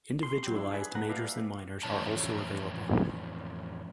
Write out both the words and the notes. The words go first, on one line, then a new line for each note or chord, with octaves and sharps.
Individualized majors and minors are also available.
C6
F#3 G4
D4 E4
G#4 B4
A3 B4 F#5 A#5
G4 B4 D5 E5 F5
F2 A2 E3 C#4 A5